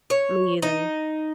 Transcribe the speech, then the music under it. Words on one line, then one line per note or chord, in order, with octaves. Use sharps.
Me either.
C#5
D#4